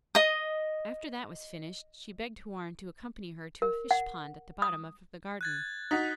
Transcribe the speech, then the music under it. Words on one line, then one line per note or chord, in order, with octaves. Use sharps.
After that was finished, she begged Houarn to accompany her to a fish-pond at the bottom of the garden.
D#5 D#6
A#4
F#5
D#6
F#6 G#6 A6
D#4 F#4 A6 B6